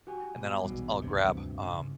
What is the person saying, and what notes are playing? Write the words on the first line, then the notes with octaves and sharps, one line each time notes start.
and then I'll I'll grab, um,
F#4 G4 G#5
B2 G3
B1 E2 B2
D2 G2 C3
C#2 G#2